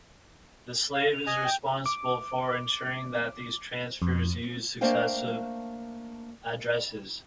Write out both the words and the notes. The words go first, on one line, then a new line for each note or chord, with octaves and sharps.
The slave is responsible for ensuring that these transfers use successive addresses.
F5
F7
D#5 G#5
G5
D6
F2
A3 A#3 D4 C5 F5 G5